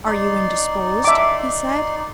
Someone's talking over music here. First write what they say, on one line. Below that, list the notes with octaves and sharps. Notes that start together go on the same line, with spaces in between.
"Are you indisposed?" he said.
D#4 D5 C6
E5 D6